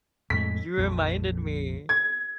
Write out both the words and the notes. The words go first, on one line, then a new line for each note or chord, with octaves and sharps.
You reminded me.
F2 A2 G#3 B6
A#1 F2
G#6